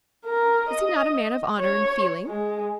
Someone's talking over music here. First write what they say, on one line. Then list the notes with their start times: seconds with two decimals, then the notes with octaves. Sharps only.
Is he not a man of honour and feeling?
0.26 A#4
0.70 D#5
1.60 C#5
2.27 G#3